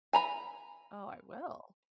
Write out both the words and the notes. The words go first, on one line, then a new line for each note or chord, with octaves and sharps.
Oh, I will.
G#5 A#5 B5